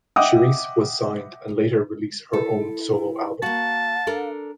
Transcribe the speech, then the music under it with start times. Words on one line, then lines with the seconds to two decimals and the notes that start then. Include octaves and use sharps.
Cherise was signed and later release her own solo album.
0.16 D#5 E5 F#5 G5 D6 D#6
2.33 E4 A4
3.42 A#3 F#4 F5 A5
4.07 D4 A4 A#4